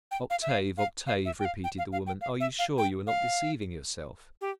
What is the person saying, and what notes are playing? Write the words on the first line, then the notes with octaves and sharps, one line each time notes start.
"Octave, Octave," repeated the woman, "are you sure you are not deceiving yourself?"
G5
F5
E5
F5
F5
F5
E5
G5
F5
G5
F5
F5
G5
F5
E5
F5
G5
F5
G4